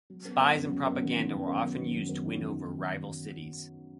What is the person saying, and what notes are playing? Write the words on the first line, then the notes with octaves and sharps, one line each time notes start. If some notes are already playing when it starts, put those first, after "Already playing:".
Spies and propaganda were often used to win over rival cities.
F#3
B3
B3
F#2
F#2
B3
D#3
D#3
F#2
B3
F#3
D#3
F#2
B3
D#3
D#3